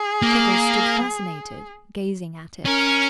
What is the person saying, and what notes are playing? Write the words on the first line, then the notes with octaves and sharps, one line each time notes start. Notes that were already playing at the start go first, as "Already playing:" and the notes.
Freckles stood fascinated, gazing at it.
Already playing: G#4
A#3
C#4 A#4